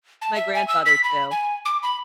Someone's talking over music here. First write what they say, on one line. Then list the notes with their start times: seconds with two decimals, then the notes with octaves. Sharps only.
My grandfather too.
0.22 A5
0.35 E5
0.55 G#5
0.68 E6
0.86 B6
1.04 B5
1.31 G#5
1.65 D6
1.83 B5